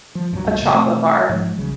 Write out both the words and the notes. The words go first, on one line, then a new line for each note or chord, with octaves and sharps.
a chocolate bar.
F3
C2 G2 B2 F#3
F#1 E2 A#2 C#3
B2 A3 C4
G#2 F3 G#3
D#1 A#1 C#3 F#3